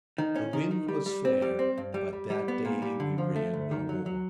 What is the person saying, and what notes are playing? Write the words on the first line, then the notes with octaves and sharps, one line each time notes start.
The wind was fair, but that day we ran no more.
D#3
C#4
D#3
D#3
G3
G3
C4
G3
C4
G2
G3
G3
G3
B3
A#2
G3
D3
F3
A3
D2
D#3
F#3
F#3